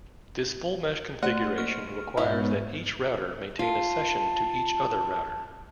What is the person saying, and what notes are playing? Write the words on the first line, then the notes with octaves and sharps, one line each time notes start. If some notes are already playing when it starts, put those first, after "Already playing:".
This full-mesh configuration requires that each router maintain a session to every other router.
A3 G4 C5 F#5
A#3 F6
G#2 G#3 B3 C#4 E4
F4 A5